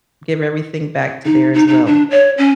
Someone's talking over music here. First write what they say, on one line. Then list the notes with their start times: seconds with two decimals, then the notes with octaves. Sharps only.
give everything back to there as well.
1.25 D#4
1.54 D#4
1.68 D#4
1.86 D4
2.11 C#5
2.38 C#4